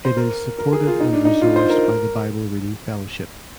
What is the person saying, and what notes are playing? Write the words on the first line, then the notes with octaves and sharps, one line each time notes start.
It is supported and resourced by the Bible Reading Fellowship.
C5
A#4
A#4
G#4
F4
D#4
D4
D#4
F4
C5
A#4